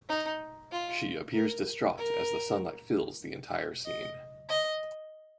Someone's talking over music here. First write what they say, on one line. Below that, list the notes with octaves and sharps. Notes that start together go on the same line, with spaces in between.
She appears distraught as the sunlight fills the entire scene.
D#4
F4
A#4
A#4
D#5
D#5